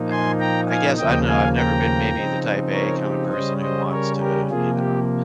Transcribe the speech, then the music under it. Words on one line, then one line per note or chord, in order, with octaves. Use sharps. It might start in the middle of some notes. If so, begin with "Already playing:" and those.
Um, I guess, I don't know, I've never been maybe the type A kinda person who wants to, you know,
Already playing: A#2 F3 A#3 D#4
G#5 C6
G5 A#5
F5 G#5
D#2 C#3 F3 A#3 D#5 G5
F5 G#5
G5 A#5
C#3 F3 C4 D#4
A#4 C#5
G4
C#3 G3 C#4 C5 D#5
C5 D#5
A#4 C#5
G4 A#4
C3 F3 A#3 F4 G#4
G4